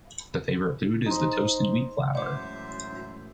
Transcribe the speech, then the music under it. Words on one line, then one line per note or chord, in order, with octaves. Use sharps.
The favorite food is the toasted wheat flour.
D#4 C5
F#2 A2 E3 G#3 C5 E5 F#5 D6